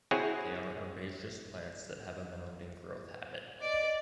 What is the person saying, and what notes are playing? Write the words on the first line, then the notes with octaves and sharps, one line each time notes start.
They are herbaceous plants have a mounding growth habit.
C4 E4 F#4 G#4 C#5 F#5
D5 D#5